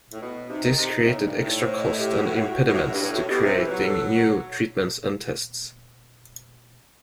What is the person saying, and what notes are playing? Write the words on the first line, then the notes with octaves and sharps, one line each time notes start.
This created extra costs and impediments to creating new treatments and tests.
A2
B2
C3 D#4
D#3
C3
G2
A2
G2
A2
C5
D#5
G4
F#4
B2
A2 F#4
G2
G2
A2
B2 G4
C3 C5
E3
F#3 B4
A4